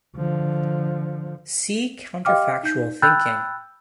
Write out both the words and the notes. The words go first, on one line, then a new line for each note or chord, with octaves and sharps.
See counterfactual thinking.
D3 F3
G4 D#5 F5 G5 D6 F6
D#4 G6
G5 B5 E6 F#6 G6 A6